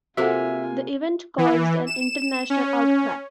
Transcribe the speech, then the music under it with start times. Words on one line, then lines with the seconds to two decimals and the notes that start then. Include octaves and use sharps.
The event caused an international outcry.
0.17 C3 A#3 F4 F#4 A4 E5 F#5 G#5
1.38 E3
1.87 E7
2.50 C#4